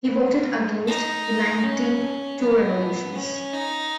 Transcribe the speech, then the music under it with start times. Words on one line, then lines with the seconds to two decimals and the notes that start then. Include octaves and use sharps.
He voted against the Ninety-Two Resolutions.
0.87 D#4
1.63 C#4
2.39 B3
3.15 C#4
3.53 D#4